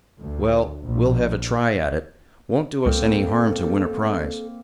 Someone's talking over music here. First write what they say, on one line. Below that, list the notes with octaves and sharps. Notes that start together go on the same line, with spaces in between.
Well, we'll have a try at it. Won't do us any harm to win a prize.
D2
A#1
C#2 A#3 C4 A4